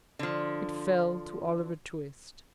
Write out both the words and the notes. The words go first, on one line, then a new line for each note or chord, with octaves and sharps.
It fell to Oliver Twist.
D3 F3